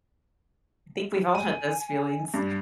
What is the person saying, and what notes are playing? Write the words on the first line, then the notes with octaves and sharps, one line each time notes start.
I think we've all had those feelings.
G#5 D#7
G2